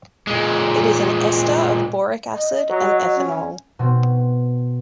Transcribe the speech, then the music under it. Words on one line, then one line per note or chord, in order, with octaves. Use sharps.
It is an ester of boric acid and ethanol.
A#2 G#3
D#5
F#3
C#4
B2 C4